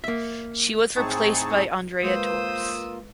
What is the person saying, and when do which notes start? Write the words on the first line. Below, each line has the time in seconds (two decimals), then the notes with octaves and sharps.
She was replaced by Andrea Torres.
0.04 A#3 E5
0.96 A2 C4 D#4 G#4 A5 C#6
2.04 G#3 A#3 F4 B4 C5 D#6 E6